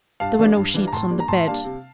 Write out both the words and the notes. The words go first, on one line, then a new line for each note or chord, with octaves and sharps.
There were no sheets on the bed.
G2 F5 A5
E3 G3 D4
G2
E3 G3 D4
A#5
A2 A5 C6
G3 A#3 D4
A#5
A2 A5 C6
G3 A#3 D4 F5 A5
C3